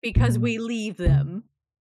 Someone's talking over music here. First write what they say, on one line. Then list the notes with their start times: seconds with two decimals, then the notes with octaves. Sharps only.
Because we leave them.
0.16 A#2
1.06 C#3